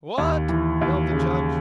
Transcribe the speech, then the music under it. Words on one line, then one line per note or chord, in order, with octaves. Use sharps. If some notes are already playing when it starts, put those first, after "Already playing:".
"What!" yelled the Judge.
D#2
E3
D#2
C#3